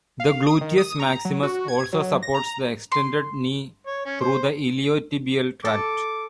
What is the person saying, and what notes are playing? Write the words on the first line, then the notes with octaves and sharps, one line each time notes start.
The gluteus maximus also supports the extended knee through the iliotibial tract.
F5
D#6
D#3
D#6
A#5
F#3
F#4
G#6
F#3
A#6
A#5
C6
C#5
C#4
C5
A4 D6